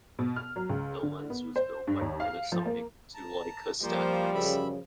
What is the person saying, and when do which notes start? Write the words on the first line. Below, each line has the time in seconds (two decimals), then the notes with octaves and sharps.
The lens was built by Panasonic to Leica standards.
0.19 B2
0.36 F6
0.56 F#3
0.70 C#2
1.03 D3
1.30 B3
1.56 C5
1.87 G2
2.01 D#2
2.20 F5
2.52 F3
2.66 A#3
3.14 A5 A#5
3.83 F3 G3 A#3 F4 C5
4.34 F#2 C#3 E5 B5